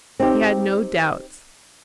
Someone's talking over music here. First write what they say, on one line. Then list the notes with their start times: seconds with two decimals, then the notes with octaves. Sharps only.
He had no doubts.
0.20 C4 D#4 G4